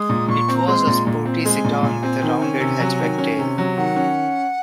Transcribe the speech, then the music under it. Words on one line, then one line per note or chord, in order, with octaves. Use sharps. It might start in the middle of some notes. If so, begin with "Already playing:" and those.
It was a sporty sedan with a rounded hatchback tail.
Already playing: G#3 D#6
A#2
A#2 C#6
C4
A#5
G#3 C6
A#2
A#2
C4
G#3 G#5
A#2
A#2 G#5
C4
D#3
C#4
C3
F#3
D#3
C#4
C3
F#3
D#3 F#5
C#4